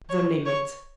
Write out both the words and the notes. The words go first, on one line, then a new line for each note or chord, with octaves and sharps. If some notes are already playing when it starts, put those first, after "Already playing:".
The limit.
C#5
C#5